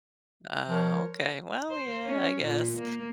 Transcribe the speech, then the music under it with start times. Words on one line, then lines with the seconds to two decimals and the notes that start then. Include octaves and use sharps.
Ah, okay. Well, yeah, I guess.
0.68 F3 A#4 C#5
1.70 C5
2.04 C#4
2.42 A#2
2.77 A#3